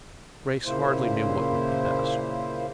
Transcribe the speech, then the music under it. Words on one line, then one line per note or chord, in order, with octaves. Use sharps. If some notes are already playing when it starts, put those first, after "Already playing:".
Grace hardly knew what would be best.
A#2 C#3 A#3 E4 C5